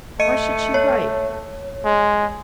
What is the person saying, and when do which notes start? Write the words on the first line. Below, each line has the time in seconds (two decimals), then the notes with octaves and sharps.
Why should she write?
0.20 A3 D#5 C#7 D#7
0.74 C#5
1.84 G#3